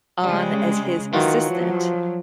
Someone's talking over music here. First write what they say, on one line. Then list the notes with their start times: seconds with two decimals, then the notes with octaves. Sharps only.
on as his assistant
0.24 C#3 G3 G#3
1.13 D#3 E3 F#3 F4 F#4
1.50 F3